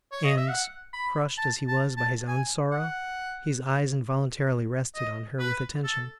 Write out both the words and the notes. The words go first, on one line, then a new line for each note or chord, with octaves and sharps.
And, crushed as he was by his own sorrow, his eyes involuntarily rested on her with attention.
C#5
D#5
E5
F#5
B5
A5
A5
A5
G#5
F#5
D#5
B4
A4